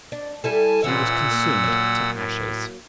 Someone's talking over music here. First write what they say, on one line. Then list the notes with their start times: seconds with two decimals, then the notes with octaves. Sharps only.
She was consumed to ashes.
0.12 D4
0.44 G3 E4 A4 G#5 A5
0.84 A#2 E3 C#4 F4 F#5 E6
1.31 A#3
1.64 F#3 A#3
2.13 A2